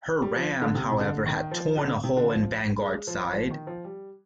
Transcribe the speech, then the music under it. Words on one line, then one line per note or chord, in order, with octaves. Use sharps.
Her ram, however, had torn a hole in "Vanguard"s side.
G3
F3
D3
C3
C3
D3
D#3
F3
D3
C3
D3
F3
G#3
F3
F3
D#3
F3
G3